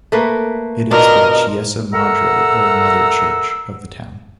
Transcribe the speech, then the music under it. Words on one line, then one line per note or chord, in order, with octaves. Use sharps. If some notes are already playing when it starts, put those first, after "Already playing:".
It is the "Chiesa Madre" or Mother Church of the town.
A3 A#3 B4
B2 D4 F4 A#4 D#5
A3 A#4 F#5 A#5 E6